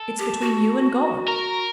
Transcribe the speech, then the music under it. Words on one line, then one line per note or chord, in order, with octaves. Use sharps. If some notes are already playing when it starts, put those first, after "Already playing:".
It's between you and God.
Already playing: A4
G4
F#4
A#4